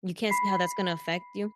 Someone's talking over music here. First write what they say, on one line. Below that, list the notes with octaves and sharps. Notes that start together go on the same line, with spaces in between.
you can't see how that's gonna affect you?
B5 B6 C7